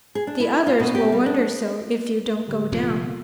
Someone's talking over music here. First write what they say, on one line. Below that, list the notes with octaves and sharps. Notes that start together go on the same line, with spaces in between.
The others will wonder so if you don't go down.
G#4
D4
E4
F4
B2
G4
G3
D4
A2 D3 G3 G4
F1 F2 A#2 F4